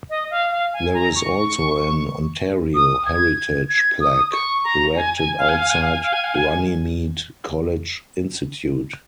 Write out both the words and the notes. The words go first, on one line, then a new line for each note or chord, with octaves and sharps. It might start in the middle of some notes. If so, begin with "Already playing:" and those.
There is also an Ontario Heritage Plaque erected outside Runnymede College Institute.
D#5
F5
F5
G#5
A#5
C#6
D#6
G#6
G#6
D#6
C#6
A#5
G#5
G#5
F5
G#5
F5
G#5
F5
G#5
F5
G#5
F5
G#5